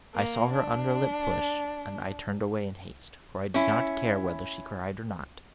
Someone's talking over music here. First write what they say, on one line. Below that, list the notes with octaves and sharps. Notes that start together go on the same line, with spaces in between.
I saw her under-lip push, and I turned away in haste, for I did not care whether she cried or not.
A#3
D4
C#4 E4